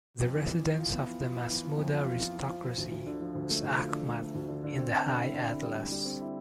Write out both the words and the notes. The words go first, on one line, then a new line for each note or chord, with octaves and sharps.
The residence of the Masmuda aristocracy was Aghmat in the High Atlas.
F2
E3
E3
E3
F4
B3
F4
F4
B3
E3
F4
F2
F4
F4
F4
F4
F3
F3
D2
D2
D3
F3
D2
A3
D2
F3
D3
A3
A3
D2
D3
D3
C4
C4
D3
E4
D3
E4
G3
G3
G3
C4
E4